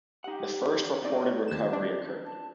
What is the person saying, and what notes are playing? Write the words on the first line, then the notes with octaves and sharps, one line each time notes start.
The first reported recovery occurred.
D#4 G4 F#5
C4 D#4 F4 C#5 D5
D#2 G4 E7
D4
A5